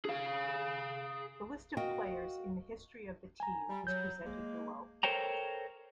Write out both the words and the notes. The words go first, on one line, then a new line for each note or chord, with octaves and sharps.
The list of players in the history of the team is presented below.
G#4 F5
F#4 A#4 D#5 F5 G5
G#5 A#5
G3
F#3 G6
G#3 A#3
A4 A#4 C5 C#5 G5 A#5